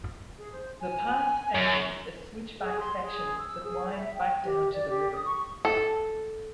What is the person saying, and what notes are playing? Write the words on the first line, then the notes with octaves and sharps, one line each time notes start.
The path enters a switch back section that winds back down to the river.
G#4
C5
G#5
F#2
G#4
C6
G#4
E6
G#4
E5
G5
G4
D5
G4
D#6
C#6
A4